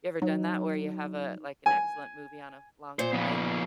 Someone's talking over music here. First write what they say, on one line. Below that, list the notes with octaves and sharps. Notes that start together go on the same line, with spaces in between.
You ever done that where you have, uh, like, an excellent movie on a long flight, and it
F#3 D#4
G#5
A#2 C5
F3 B3